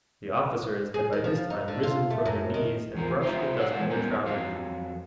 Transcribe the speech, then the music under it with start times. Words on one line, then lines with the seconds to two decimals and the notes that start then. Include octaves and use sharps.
The officers had by this time risen from their knees and brushed the dust from their trousers.
0.94 G#4
1.13 D#3
1.24 F3
1.50 D#4
1.68 D3
1.83 F4
2.10 A3
2.26 F#2
2.54 D#3
2.95 E2 F3 A#4
3.21 D#4 F4 G4 C5 E5 A#5
3.57 C#5 D5 F5 F#5
3.73 E3 G#3 C4 D#4 A4 C5
3.90 G3 B3 C#4 G4 A#4
4.25 F2 F#3 A4 F5